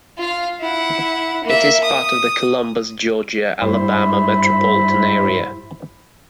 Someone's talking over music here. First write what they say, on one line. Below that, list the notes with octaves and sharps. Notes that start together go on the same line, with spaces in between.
It is part of the Columbus, Georgia-Alabama Metropolitan Area.
F4 F5
E4 F#5
A#3 E5
D#6
G2 E4 C5 B5